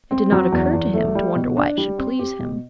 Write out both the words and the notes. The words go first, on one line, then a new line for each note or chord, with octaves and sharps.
It did not occur to him to wonder why it should please him.
C4
F#3
E2
E2
A3
G3
B2
D4
G3
C4
G4
B2